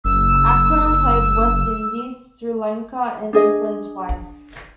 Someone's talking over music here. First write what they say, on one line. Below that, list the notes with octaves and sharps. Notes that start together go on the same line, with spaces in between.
Akram played West Indies, Sri Lanka and England twice.
F#1 E6
D4 G#4 D#5